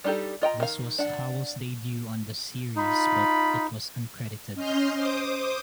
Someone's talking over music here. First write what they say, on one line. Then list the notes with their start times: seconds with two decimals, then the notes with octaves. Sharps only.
This was Howell's debut on the series but it was uncredited.
0.04 G3 D4 D#4 G4 A4
0.42 F4 D#5 G5 A#5
0.60 D#3 F5
0.98 D4 F#5
2.76 D#4 F4 B5
4.55 C#4 D#5 C6 F6 G6
4.93 C5 D6 D#6